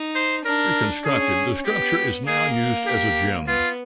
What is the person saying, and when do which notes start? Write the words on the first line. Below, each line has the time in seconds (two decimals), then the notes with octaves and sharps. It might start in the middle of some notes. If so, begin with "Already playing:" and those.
Reconstructed, the structure is now used as a gym.
Already playing: D#4
0.15 C5
0.45 D4 A#4
1.05 C#4 G#4
1.66 B3 G4
2.27 A#3 G#4
2.87 G4
3.47 B3 F4